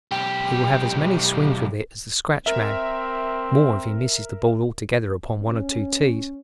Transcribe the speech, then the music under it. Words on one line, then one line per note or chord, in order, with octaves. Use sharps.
He will have as many swings with it as the scratch man; more, if he misses the ball altogether upon one or two tees.
B1 G4
C4 A#4 E5
C#4